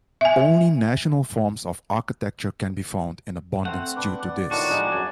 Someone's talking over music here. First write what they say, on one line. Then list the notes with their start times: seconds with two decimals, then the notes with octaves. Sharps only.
Only national forms of architecture can be found in abundance due to this.
0.21 E5 G#5
3.65 A3 C4 F#5
3.96 D4 B4
4.24 D5
4.51 A2 D#3 D4 F4 F#4
4.71 F3 G#3 D#4
4.92 F#2 G#5